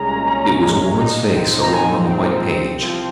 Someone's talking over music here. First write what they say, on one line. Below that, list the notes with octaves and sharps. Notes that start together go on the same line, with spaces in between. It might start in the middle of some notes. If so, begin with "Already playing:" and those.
It was a woman's face, alone on the white page.
Already playing: C2 G#3 C#4 A#5
A#2
C#4
C2
G#3
A#2
D#4
G#2
C4
F3
A#5
D#4 G#5
G#2
C4
F3
C4
C2
F3